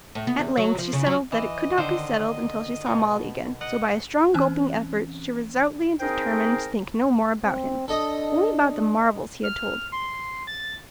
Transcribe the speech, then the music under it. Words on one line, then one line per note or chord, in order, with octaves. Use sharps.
At length she settled that it could not be settled until she saw Molly again; so, by a strong gulping effort, she resolutely determined to think no more about him, only about the marvels he had told.
A2
B3
E2
F#3
F3
C#3
F#3
E3 D#5
D3 D#3 C5
B2
D#5 F#5
E3 C4 C#4 F#6
C4 D#4 G#4 A#4 C5 G5
C4
D4 A4 D#5 D#6
F6
C6
A6